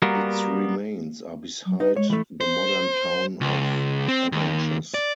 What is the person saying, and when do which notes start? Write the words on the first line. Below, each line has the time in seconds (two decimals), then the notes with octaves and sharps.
Its remains are beside the modern town of Avenches.
0.02 G3 A#3 B3 F#4 A#4
1.66 F#3
1.80 D#4 B4
1.96 G#3 C#5
2.10 E3 A3
2.41 C5
3.41 C#2
4.08 C4
4.32 D#2
4.94 D5